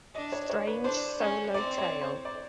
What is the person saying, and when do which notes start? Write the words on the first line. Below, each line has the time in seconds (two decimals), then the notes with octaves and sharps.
Strange solo tale.
0.14 D4 D#5
0.32 C#5
0.50 C#5
0.67 B4
0.84 D4 C5
1.20 C#4 C#5
1.54 C4 D5
1.78 C#5
2.01 C5
2.25 D5